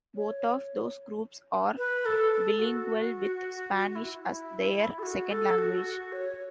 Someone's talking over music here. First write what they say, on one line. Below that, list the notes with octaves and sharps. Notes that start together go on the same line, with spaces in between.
Both of those groups are bilingual with Spanish as their second language.
C#5
B4
A4
A4
F#4
E4
E4
A4
F#4
A4
F#4
C#5